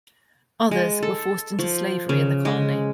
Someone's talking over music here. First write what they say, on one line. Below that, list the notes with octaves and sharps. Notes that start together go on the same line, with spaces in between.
Others were forced into slavery in the colony.
G#3
A4
F3
C#3
G#3